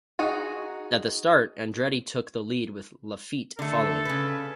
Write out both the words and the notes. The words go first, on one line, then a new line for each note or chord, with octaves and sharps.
At the start, Andretti took the lead with Laffite following.
D#4 F#4 G#4 G#5
D3 A3 A4
C#3 B4